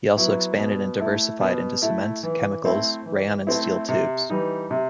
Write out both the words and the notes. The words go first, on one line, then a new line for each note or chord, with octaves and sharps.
He also expanded and diversified into cement, chemicals, rayon and steel tubes.
F#3 B3 E4
B2
A3 E4
B2
A3 E4
E3
A3 C4 E4
E3
A3 C4 E4
C3
E3 G3 D#4
C3